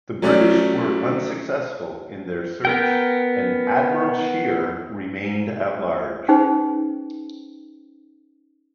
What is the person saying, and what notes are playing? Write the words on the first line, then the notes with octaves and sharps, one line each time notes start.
The British were unsuccessful in their search and "Admiral Scheer" remained at large.
F#3 A3 C#4 D4 D5
B3 A#4 G5
C#4 D#4 G#4 B4 C5 G5